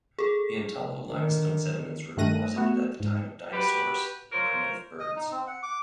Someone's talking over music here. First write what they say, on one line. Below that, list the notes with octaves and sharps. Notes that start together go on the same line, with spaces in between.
The Antalo Limestone sediments were deposited at the time of dinosaurs and primitive birds.
G#4 A4
D3 D#3
G2 D#3 A3 F#6 A#6 D#7
A3 B3 F#4
G#2
F#4 G4 B4
F4 A#4 C5 C#5
D#5
D#4
C4
F#5
D6